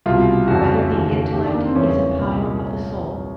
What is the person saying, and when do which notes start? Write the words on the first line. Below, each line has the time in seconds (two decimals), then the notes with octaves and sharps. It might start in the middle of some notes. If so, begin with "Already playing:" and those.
Whether the Intellect Is a Power of the Soul?
0.06 C2 B2 F4
0.48 F2 C#3 E3 F#4
0.91 D#2 C#3 E3
1.33 D#2 G4
1.37 D#3
1.44 D4
1.54 A#3
1.65 C4
1.76 E2 C#3 E3 C#4
2.18 C2 A#2